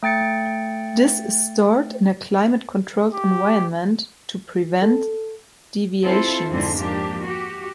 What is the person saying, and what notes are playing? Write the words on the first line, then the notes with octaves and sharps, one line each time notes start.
This is stored in a climate-controlled environment to prevent deviations.
A3 G5 A6 C#7
G4
A4
C4 E4 F4 A4 C5
F2 G#2 D3 C4 D4 E4
F3 A#3 D4 G4
F#4 G4